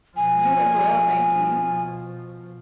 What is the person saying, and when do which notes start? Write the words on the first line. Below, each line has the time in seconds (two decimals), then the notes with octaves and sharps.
You as well, thank you.
0.17 B2 F3 G#5